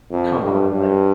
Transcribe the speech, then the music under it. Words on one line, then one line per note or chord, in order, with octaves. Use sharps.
come on, like
F2
G2
G2